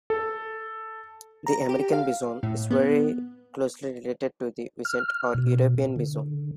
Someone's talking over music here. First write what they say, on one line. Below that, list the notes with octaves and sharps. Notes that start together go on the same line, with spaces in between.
The American bison is very closely related to the wisent or European bison.
A4
A#5
G4
F5
A2
B3
F6
B2
D3